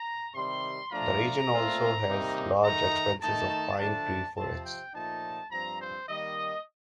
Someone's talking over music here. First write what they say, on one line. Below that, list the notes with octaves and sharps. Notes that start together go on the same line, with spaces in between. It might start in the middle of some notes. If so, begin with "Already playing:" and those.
The region also has large expanses of pine tree forests.
Already playing: A#5
C3 D#3 G3 C6
F3 A3 D4 F4 A#5
A#2 A3 C4 F4
C3 G3 A#3 D#4
D#3 A3 D#4 A#5
D#3 A3 D#4 A5
D3 F3 A3 D4 A5
C3 F3 C4 A5
G5
A#2 F3 A3 D#4 A5
G2 F3 C4 A#5
C5
D#3 G3 A#3 D#5